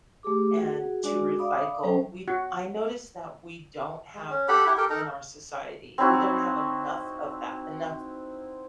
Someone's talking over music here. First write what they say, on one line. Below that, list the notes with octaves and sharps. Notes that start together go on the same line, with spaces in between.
and to recycle, we I notice that we don't have that in our society, we don't have enough of that, enough
A3 G4 G#4 D6
F#4 G#4 F#5
G#3 D4 F#4 G#4 D5 G#5
D5 E5 F5 B5 D6 D#6
F#3 C#4 A4 C5 G5
F#4
G#3
C#4
G4 A4 F#5 B5
E4 G4 F#5
G4 A4 A#4 G5
D#4 A4 A#4 A#5
C4 D#4 E4 F#4